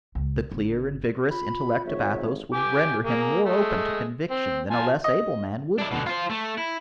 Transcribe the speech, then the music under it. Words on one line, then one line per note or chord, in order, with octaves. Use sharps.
The clear and vigorous intellect of Athos would render him more open to conviction than a less able man would be.
C#2
G1
F4 B5
G#1 C#5 E5
G4 G#5 D6
A#3 G#4
G#3 A3
C4
F4 G#5 A5
D#5
D4 E4
B2 D3
F4 C5
A3
E4